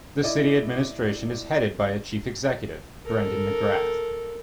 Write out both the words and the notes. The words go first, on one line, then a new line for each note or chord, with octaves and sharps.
The city administration is headed by a Chief Executive, Brendan McGrath.
E4 D5 D#5
A4 A#4